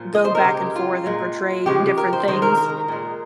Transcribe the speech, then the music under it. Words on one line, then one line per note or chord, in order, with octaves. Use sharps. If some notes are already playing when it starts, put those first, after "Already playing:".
go back and forth and portray different things.
Already playing: A#2 F3
D#5
C5
A#4
C#3 G#3 G4
F4
A#2 G#3
C#3 F3 G#3 G4
A#4
C5
D#3 G#3 C5
A#4
A#4
A#2 G#3